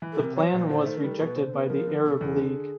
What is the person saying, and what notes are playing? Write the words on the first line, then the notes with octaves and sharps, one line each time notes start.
The plan was rejected by the Arab League.
E3
A4
C3
A#4
F#3 C#5
C5
A#2
C5
D#3 C5
A3
A#4
G3 B4
A#4
B2
B4
D3 C5
B3 B4
F3 A#4
D3
B2 A4
E2
D3 G#4